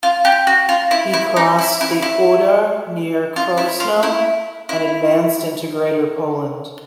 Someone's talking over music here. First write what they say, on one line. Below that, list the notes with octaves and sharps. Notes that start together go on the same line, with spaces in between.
He crossed the Oder near Krosno and advanced into Greater Poland.
F4
G4
F#4
F4
E4
E4
D#4
E4
E4
E4
F4
E4
F4
E4
E4